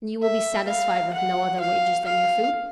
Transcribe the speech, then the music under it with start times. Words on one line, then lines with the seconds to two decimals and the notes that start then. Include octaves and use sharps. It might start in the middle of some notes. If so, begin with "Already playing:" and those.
"And you will be satisfied with no other wages than your food?"
0.22 E5
0.68 F5
1.13 F#5
1.60 F5
2.05 F5